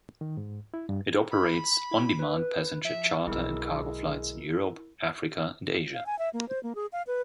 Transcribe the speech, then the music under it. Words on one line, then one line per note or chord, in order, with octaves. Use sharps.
It operates on-demand passenger charter and cargo flights in Europe, Africa and Asia.
D#3
G#2
E4
G2
B5
E4
B4
F3 E5
B1 D3 G#3 E4 A#4 E6
F5
G#5
E5
A#3
C5
A#3
G#4
F5
B4